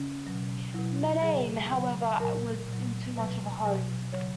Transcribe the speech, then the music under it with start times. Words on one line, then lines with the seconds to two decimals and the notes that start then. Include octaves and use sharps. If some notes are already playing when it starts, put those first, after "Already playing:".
Madame, however, was in too much of a hurry.
Already playing: C#3 C#4
0.27 B2 F#3
0.74 B2 F#3 E4
1.22 C#3 F#3 G#4
1.71 C#3 F#3
2.20 A#2 F#3 A#4
2.68 A#2
2.73 F#3
3.16 B2 F#3 B4
3.65 B2 F#3
4.12 C#3 F#3 C#5